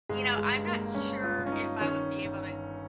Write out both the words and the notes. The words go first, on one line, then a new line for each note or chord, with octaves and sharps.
you know, I'm not sure if I would be able to
G1 G#3
G#3
G2
A#3
G2 C#4
F4
G1
C#4
D#4
D#3 C#4
G1